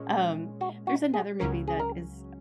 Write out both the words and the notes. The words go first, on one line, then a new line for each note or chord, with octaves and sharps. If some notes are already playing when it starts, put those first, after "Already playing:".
Um, there's another movie that is
Already playing: A#2 G#3 C#4
F#4
F#4
G#4
C#2 C#3 F#3 C#4 A#4
G#4
A#4